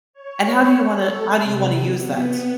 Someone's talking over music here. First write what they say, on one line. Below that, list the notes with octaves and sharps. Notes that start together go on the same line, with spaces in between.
And how do you wanna how do you wanna use that?
C#5
A4
C3
B3